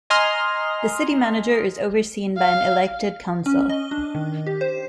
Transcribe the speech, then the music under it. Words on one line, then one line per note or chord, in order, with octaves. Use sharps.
The City Manager is overseen by an elected Council.
D#5 G#5 A#5 C6 D#6 F6
F5
C#4
D#5
D4
D#3
G4
C5